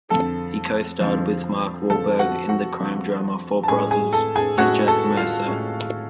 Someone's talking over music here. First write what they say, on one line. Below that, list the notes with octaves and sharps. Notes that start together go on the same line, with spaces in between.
He co-starred with Mark Wahlberg in the crime drama "Four Brothers" as Jack Mercer.
F2 D3 F3 A4 A5
F2 D3 F3
F2 D3 F3 A4 A5
F#4 F#5
F#4 F#5
F2 D3 F3
A5
A2 G#3 C#4 G#4 G#5
G#4 G#5
A4 A5
G#4 G#5
A2 G#3 C#4 F#4 F#5
A4 A5
F4 F5
A2 G#3 C#4